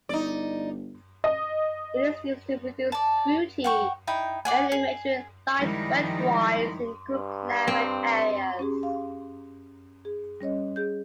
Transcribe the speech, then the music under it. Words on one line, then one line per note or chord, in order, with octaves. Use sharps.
It is used to produce fruity, early maturing light red wines in cool-climate areas.
G1 D#4 D5
D#5
D5 A5
F#5 G5 C#6
D#4 E4 G5
D5 F#5 G#5
G#4
D#3 F3 G3 G#3 D#4 E4
G2
C4
C#4 G4 G#4
G4 F5
G#4
G3 C#4 C#5 D#5
G#4 G6